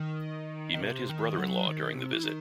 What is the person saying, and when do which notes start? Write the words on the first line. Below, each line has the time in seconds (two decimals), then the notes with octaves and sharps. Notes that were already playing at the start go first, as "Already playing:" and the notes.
He met his brother-in-law during the visit.
Already playing: D#3
0.74 D#3
0.82 C3
1.09 D#3
1.38 F#3
1.67 D#3
1.95 C3
2.13 E3
2.23 D#3